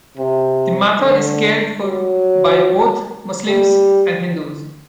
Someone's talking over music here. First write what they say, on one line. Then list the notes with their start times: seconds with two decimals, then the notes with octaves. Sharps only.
The matha is cared for by both Muslims and Hindus.
0.17 C3
0.99 D3
1.82 F#3
3.46 G3